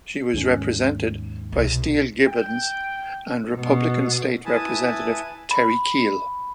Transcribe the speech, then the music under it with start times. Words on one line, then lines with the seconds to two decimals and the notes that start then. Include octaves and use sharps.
She was represented by Steve Gibbins and Republican state representative Terry Keel.
0.33 D#2 G#2 C#4
1.52 C2 B2
2.27 G5
3.55 B2
4.45 E4 B4 E5 G#5 A5 D#6
5.51 B5